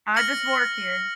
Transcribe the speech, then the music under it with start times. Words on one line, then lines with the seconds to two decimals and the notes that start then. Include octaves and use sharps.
I just work here.
0.16 F6 A#6 C#7 F#7